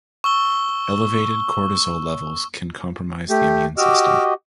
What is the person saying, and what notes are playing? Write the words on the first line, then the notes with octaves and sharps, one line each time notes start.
Elevated cortisol levels can compromise the immune system.
C#6 E6 G7
A3 G4
F#4 G4 D#5 D6 E6 F6